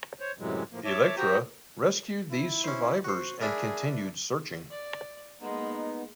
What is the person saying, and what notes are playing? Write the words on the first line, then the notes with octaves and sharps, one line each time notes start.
"Electra" rescued these survivors, and continued searching.
C5 C#5
F#2 A2 C3 E3 F#3 G#3
A2 F3 A#3
C#5 E5 A5 D6
F#4 G4 C5 G5 A#5
E4
C#4 C5
F#4 C5
D4 E4 G#4 A#4
D5
G#3 A#3 B3 D#4